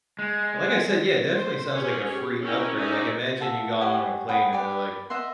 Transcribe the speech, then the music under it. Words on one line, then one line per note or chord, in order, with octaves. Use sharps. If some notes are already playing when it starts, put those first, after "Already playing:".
But, like I said, yeah, it definitely sounds like a free upgrade, like, imagine you got on a plane, and they're like,
G#3
C5
C#4 G4 G#4 C#5
G4
C#4 E4 F#4 A#4 G5
C#4 D#4 D5 E5
F4 F#4 A4 E5
G4 C#5 F#5 G#5
F#5 G5 B5 D#6
G4 B4 D5 G5
D#5 E5 F#5 C6